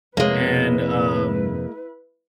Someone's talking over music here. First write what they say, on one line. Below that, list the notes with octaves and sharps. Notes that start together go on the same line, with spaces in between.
and, um,
F2 C3 G#3 A#3 E4 B4 C#5